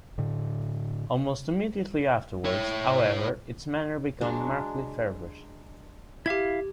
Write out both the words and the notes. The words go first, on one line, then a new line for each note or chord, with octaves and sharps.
Almost immediately afterwards, however, its manner became markedly feverish.
A2 D3
E4 C#5
F#3 G#3 D4
E4 G4 E5 F5 G#6